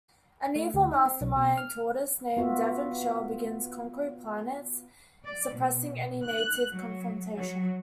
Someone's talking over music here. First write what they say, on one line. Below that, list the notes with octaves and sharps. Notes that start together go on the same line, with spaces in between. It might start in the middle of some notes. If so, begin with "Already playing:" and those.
An evil mastermind tortoise named Devan Shell begins conquering planets, suppressing any native confrontation.
A3
D2
D#4
C4
B1
B2
F6
B3 F4 F#4 E5
D5
B2
F#6
F#3
F#3